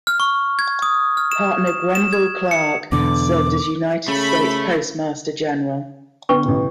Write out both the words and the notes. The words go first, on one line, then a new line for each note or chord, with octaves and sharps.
Partner Grenville Clark served as United States Postmaster General.
F6
C#6
G#6
D#6
F6
E7
E7
E7
G#6
C#7
E2 B2 D3 D6
C#3 A3 B5
D3 B3 B4 G5 C#6
A1 C#3